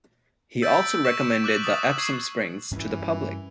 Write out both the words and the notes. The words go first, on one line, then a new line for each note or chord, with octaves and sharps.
He also recommended the Epsom springs to the public.
E6 G6 A6 B6 D7
C#6 B6 E7
D6 F#6 F#7
D#6 A6 E7
C#6 E6 G#6 C7 F#7
G2 E3 C#4